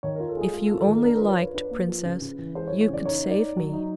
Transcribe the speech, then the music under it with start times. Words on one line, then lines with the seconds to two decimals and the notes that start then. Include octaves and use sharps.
If you only liked, Princess, you could save me.
0.03 D#3 C#5
0.16 F4 A#4
0.29 A4
0.37 G#3 G#4
0.53 F4 A4
0.67 A4
0.71 F4
0.80 A4
0.87 D#3 A#4
1.04 D4 A#4
1.17 F4 B4
1.29 C#5
1.38 F4 B4
1.54 D4 B4
1.71 A#3
1.88 F3
2.05 C#3
2.21 C#3
2.39 E3
2.55 G#3 C5
2.67 C#5
2.72 E3
2.81 C#5
2.89 C#3 D5
3.05 D#4 C#5
3.23 D#4
3.31 D5
3.39 D#4
3.57 F#3
3.73 D#4